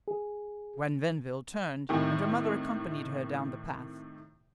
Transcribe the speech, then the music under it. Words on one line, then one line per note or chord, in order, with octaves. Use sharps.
Gwen Venville turned, and her mother accompanied her down the path.
G#4
A2 C3 D#3